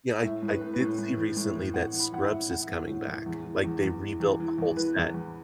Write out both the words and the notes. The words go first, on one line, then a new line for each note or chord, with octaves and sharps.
Yeah, I I did see recently that Scrubs is coming back, like, they rebuilt the whole set
A2 E5
A2
B4
A2
B4
A2
A2
E3
A2
E3
A2 F#5
E3
B5
E3 F#5
E5
A2
E3 F#5
E3
A2
E3
E2
E3
E2
E2
E3
E2
E3
E2
E3 B4
E2
E2